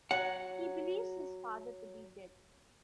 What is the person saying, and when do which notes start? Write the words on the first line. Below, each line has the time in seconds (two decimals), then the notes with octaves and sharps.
He believes his father to be dead.
0.11 F#3 F#5